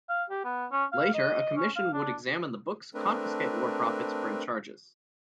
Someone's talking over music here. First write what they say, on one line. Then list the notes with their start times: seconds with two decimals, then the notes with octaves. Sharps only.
Later a commission would examine the books, confiscate war profits, bring charges.
0.09 F5
0.30 G4
0.44 B3
0.72 C#4
0.92 F5
1.14 D#5
1.57 C#4
1.76 F5
1.93 D4
2.94 A3 C4 D4 A#4 B4